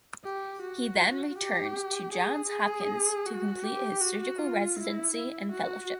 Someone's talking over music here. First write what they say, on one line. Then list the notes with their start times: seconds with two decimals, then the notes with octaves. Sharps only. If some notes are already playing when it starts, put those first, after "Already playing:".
He then returned to Johns Hopkins to complete his surgical residency and fellowship.
0.25 G4
0.62 F#4
1.39 G4
2.13 G#4
2.50 G#4
3.26 F#4
3.64 G4
4.01 F#4
4.39 F4
4.77 E4
5.14 E4
5.52 F#4